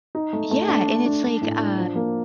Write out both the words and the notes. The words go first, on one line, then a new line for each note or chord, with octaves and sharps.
Yeah, and it's like um,
D#4
A3
A3
D4
D4
D4
D4
A2
D4
F3
A#3